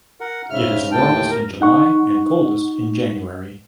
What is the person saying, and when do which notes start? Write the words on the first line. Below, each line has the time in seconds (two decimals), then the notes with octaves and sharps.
It is warmest in July and coldest in January.
0.20 A#4 F#5
0.50 G#2 C#3 E5 F6
0.91 D#2 A2 G5 A5
1.30 A#4
1.61 D#4 F#5 C#6